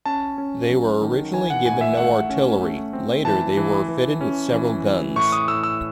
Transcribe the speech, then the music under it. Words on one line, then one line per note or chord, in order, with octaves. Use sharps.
They were originally given no artillery, later they were fitted with several guns.
C#4 A5
C#4
F#3
D#3
E3 G#5
F#5
A2 G#5
E5
A3 F#5
C#4
A3
C4
E3 A5
E3
E3
C#4
E3
E3
A2 C#6
D#6
A2 E6
E6